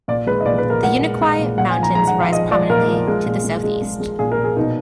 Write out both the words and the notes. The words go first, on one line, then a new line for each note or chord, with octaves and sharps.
The Unicoi Mountains rise prominently to the southeast.
A#2 D5
G#3 B4
D#5
A#2 D5
B4
A#2
A#4
A#2 F#5
G#3
G#3
A#2
A#2 F#5
G#5
F3
A#5
G#3 A#5
F#5
F3
F5
F3 D#5
F3 D5
A#2 A#4
F3
G#3
A#2
G#3
G#3
G#3
G#3
A#2 G#4
A#4
A#2
G#4
B2 D#4